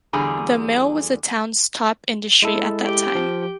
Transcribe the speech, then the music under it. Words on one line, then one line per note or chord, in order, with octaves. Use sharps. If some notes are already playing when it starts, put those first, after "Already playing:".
The mill was the town's top industry at that time.
E2 D3 G3 G#4 A#5
G#3 E4 A4
G4 G5
F3